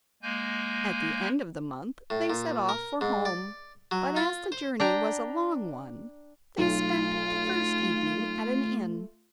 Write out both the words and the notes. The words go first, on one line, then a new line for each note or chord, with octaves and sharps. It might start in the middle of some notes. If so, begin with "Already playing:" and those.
At the end of the month they set off for home, but as the journey was a long one they spent the first evening at an inn.
G#3 A#3 G#5 G6
A2
A#2
A#4
G#2
D5
F#3
F4
C5
D4 G5 A#5
B1 A3 F4